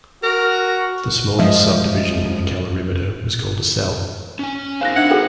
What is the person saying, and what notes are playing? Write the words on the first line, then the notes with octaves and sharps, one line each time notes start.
The smallest subdivision in the calorimeter was called a cell.
F#4 A#4
F3 G#3 D#5 E5 D#6
C#4 G#5
D#4 A#4 C5 F5 F#6 A#6
D4 E5 F#5 G#6
F#4 G#4 A4 G5